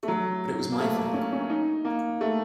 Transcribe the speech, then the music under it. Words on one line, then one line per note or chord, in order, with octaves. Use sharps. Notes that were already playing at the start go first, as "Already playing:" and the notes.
But it was my fault.
A3
F#3
A#3
A3
A#3
C#4
C#4
D#4
A#3
A3